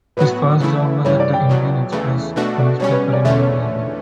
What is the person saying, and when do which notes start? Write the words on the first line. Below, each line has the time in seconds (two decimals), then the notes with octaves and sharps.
His first job was at the "Indian Express" newspaper in New Delhi.
0.17 A2 F#3 B3 F#4 B4
0.60 C#3 E3 A3 E4
1.05 G2 E3 G3 C#5
1.20 D5
1.34 G5
1.49 E2 B2 F#3
1.92 E2 C#3 E3 A3
2.36 B2 A3 D4 F#4
2.59 D5
2.80 B2 G3 C#4 C#5
2.91 B4
3.13 D5
3.24 E2 D3 A3 C#4 E5
3.39 C#5